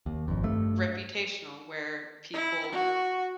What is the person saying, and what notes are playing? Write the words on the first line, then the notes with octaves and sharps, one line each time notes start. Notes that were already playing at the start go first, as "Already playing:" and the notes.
reputational where people
D#2
G#1 F2
G2 A3
E4
F#4